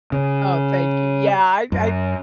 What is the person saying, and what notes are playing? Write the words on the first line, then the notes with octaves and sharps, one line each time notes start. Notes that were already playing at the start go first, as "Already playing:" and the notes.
Oh, thank you. Yeah. I I
C#3
F#2